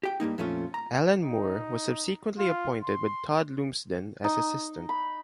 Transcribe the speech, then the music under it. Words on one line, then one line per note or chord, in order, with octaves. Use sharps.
Allan Moore was subsequently appointed with Todd Lumsden as assistant.
G4 G5
G2 G3 A#3 D#4
F2 A#2 A3 C#4 F4
A#5
D#4
F4
C6
D#4
B5